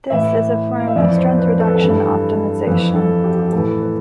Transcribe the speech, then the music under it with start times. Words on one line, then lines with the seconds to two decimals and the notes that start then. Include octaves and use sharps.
This is a form of strength reduction optimization.
0.10 A2 E3 E5
0.80 F5
0.88 E5
0.96 F2 E3 D5
1.17 C5
1.39 B4
1.60 A4
1.67 B4
1.74 A4
1.81 G2 E3
2.67 F2 E3 B4
2.95 A4
3.24 G4
3.39 G4
3.53 A2 E3 A4
3.82 B4